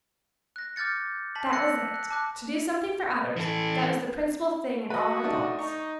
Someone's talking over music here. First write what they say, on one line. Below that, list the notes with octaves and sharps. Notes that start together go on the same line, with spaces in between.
That was it--to do something for others, that was the principal thing in all her thoughts.
F#6 A#6
D6 F6 G6 A6 C#7
A5 B6 F#7
E6 F#6 A#6 C#7
F#6
A5 D6 F#6
E3 A4
F#4 B4 D#5
A3 D4 D#4
D#4 C#6